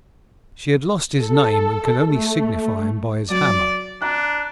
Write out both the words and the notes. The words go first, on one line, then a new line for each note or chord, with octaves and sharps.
She had lost his name, and could only signify him by his hammer.
A4
A3
F#3 D5
D4 A#5 F#6